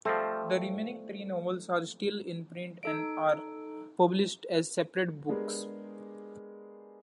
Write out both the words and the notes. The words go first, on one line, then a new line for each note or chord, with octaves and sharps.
The remaining three novels are still in print and are published as separate books.
F3 G3 A3 C4
D#4 A4 D7
G#3 B3 D4 G4 G#4 A#4